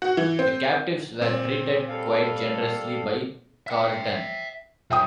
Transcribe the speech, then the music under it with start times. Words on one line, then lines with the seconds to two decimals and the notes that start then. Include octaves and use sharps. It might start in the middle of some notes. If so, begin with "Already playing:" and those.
The captives were treated quite generously by Carleton.
0.02 F#4
0.17 E3
0.39 C4
1.21 A#2 C4
1.89 G3 A4 F5
3.67 E5 G5
4.90 B1 E5 G5 D#6